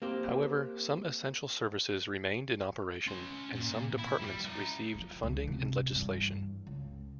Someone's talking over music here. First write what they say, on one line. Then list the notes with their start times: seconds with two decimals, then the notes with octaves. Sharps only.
However, some essential services remained in operation and some departments received funding in legislation.
0.02 A#3 C4 G4
3.07 C#4 C6
3.55 A#2
3.99 E4
4.21 G3
4.45 E4 A#5
4.95 E3 F3
5.23 C#2
5.47 C3
5.92 E2 G2
6.67 C#2